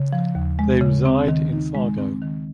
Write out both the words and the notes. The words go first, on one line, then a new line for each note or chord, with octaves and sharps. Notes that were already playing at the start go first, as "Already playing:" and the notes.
They reside in Fargo.
Already playing: C#3
F3
D#2
G#3
C#3
C4
D#3
D#4
G#3
C4
D#3